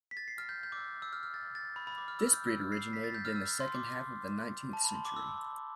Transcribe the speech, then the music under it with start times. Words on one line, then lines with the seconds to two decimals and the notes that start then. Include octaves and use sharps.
This breed originated in the second half of the nineteenth century.
0.11 B6
0.17 A6
0.28 C7
0.38 F6
0.49 G6
0.63 G6
0.72 D6
0.77 E6
1.02 E6
1.13 F6
1.23 F6
1.34 A6
1.55 A6
1.76 B5
1.87 B5
1.98 D6
2.08 F6
2.19 E6
2.27 F6
2.33 G6
2.47 E6
2.61 F6
2.72 C7
2.93 B6
3.04 A6
3.14 G6
3.25 F6
3.35 E6
3.46 F6
3.60 C6
3.75 D6
4.73 A5
4.85 B5
4.95 C6
5.05 D6
5.16 E6